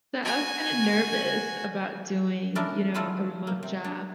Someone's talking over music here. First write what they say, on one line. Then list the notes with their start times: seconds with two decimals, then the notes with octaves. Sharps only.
So, I was kinda nervous about doing, you know, a remote job,
0.23 F#4 G#5
2.55 E3 A3 C#4 D4 A#4 D5
2.94 D#3 E3 A3 F4 F#4 A4
3.47 A#3
3.63 C3
3.84 D4